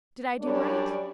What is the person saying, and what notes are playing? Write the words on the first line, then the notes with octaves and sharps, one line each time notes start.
Did I do right?
F#2 G3 D4 C#5 D5